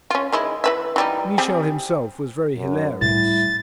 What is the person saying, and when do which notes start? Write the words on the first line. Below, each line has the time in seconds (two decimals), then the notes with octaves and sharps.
Michel himself was very hilarious.
0.10 C#4 F4
0.32 D#3 G#3 E4
0.64 E3 B4 E5
0.96 E3 G3 D#4
1.38 G3 C4 G#4
2.56 F#2
3.01 A2 G3 E4 A6